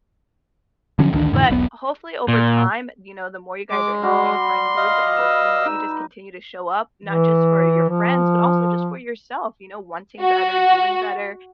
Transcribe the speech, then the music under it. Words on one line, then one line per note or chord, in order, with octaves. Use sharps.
but hopefully, over time, you know, the more you guys are in the same friend group and the more you just continue to show up, not just for your friends, but also just for yourself, you know, wanting better, doing better,
D3 F3 F#3 C#4
A1 D2 D#3 D4
F2 A2 D3 E3
E1 B1 A#2 B3
A#2
G#3 D6
G3 F#4 C6 D6
D#5 F5
B4 E6
D#4
E3
F3
F#4